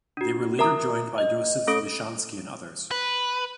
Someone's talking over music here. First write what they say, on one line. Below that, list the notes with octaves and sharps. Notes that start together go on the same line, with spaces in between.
They were later joined by Yosef Lishansky and others.
D4 F#4
A#4 E5 A#5 D#6
D#5
A3 C#4 A4 D#6 D7
B4